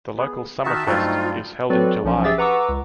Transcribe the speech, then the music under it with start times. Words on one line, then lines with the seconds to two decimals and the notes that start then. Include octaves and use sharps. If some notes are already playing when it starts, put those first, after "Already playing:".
The local Summerfest, is held in July.
0.17 B3 G#4
0.64 D#3 F4 F#4 E5 A5
0.87 G2 F#3 A3 C4 D#4 F4
1.70 F#3 C4 F#4 A4 B4 D5
2.04 B1 F3 C#4
2.24 G4 G#4 E5 D6 E6 A6
2.38 B4 F#5 A#5 C#6 D6 E6
2.69 C#2